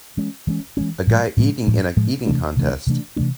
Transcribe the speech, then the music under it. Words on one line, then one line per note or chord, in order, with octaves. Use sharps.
A guy eating in a eating contest.
E3 G#3 C#4
E3 G#3 C#4
E3 G#3 C#4
A2 F3 G#3
A2 F3 G#3
A2 F3 G#3
A2 F3 G#3
C3 E3 A3 D4
C3 E3 A3 D4
C3 E3 A3 D4
C3 E3 A3 D4